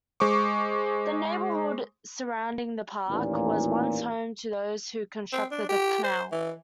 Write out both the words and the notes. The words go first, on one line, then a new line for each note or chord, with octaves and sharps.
The neighbourhood surrounding the park was once home to those who constructed the canal.
G#3 C5 C#6 D6
A1 D#2 A#2
C4
D4
G4
C5
E3